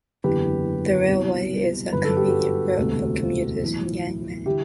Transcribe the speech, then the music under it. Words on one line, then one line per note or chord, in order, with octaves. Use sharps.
The railway is a convenient route for commuters in Yangmei.
F#1 E2 D3 G4 B4
C2 B2 G3
G1 F#2 D3 B4
A4
G4
F#4 A4
E1 D2 C3
B1 A2 E3
D3 G3 E4 G4